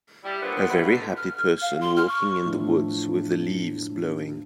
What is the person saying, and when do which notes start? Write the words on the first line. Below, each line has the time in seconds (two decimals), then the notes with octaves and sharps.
A very happy person walking in the woods with the leaves blowing.
0.24 G3 E4
0.42 G2 A#2 B3 C4 D4 F#5
0.68 E2 G2 B2 B4 F#5
0.88 D3
1.17 F6
1.61 F5
1.81 C6
1.96 F6
2.08 C#6
2.45 A2 E3 F3 D4 E4 F4